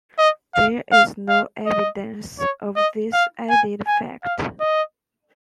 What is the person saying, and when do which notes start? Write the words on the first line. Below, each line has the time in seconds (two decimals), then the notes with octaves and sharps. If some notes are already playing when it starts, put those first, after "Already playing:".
There is no evidence of this added fact.
0.18 D#5
0.55 F5
0.92 F5
1.29 F5
1.66 D#5
2.39 C#5
2.76 D#5
3.13 F5
3.50 G#5
3.87 G#5
4.23 F5
4.60 D#5